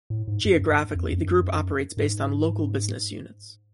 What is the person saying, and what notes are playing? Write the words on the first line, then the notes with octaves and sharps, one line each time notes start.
Geographically, the group operates based on local business units.
A2
G#2
F#2
G2
F2
F#2
G#2